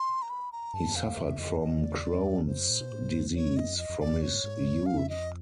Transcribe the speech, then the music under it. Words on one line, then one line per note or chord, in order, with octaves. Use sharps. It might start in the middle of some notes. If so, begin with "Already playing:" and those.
He suffered from Crohn's disease from his youth.
Already playing: C6
A#5
B5
A#5
G2 A5
G2
F2 F5
F2
F2 E5
F2 D#5
E2 D#5
D5
F2 C5
F#2
A#2
B2
A2
G#2
G2
F2
E2 C#5
F2
D#5
F#2
F2 D#5
F2
F2 D5
F2
F2 C#5
G#2
G#2
A2
G2
F#2
F5
F2 E5
D#5